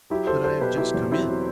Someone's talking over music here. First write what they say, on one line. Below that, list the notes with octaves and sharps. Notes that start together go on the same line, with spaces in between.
But I have just come in.
F#3 E4 G4
F#3 A4 C5
F#3 A4 C5
B2 G4 B4
F#3 E4 G4
E2
F#3 C4 E4
F#3